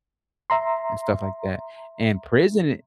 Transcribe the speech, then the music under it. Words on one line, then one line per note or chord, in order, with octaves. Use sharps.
And stuff like that and prison i
E5 A#5 C6